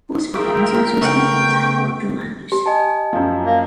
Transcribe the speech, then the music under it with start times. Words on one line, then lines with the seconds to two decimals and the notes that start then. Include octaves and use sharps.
Horse farming is also a significant agricultural land use.
0.35 F4 G#4 A#4 E5 G5
1.01 C#3 A3 B3 G5 C#6
2.52 G4
2.66 D#5 G#5 A5
3.13 F#2 F3
3.45 A#3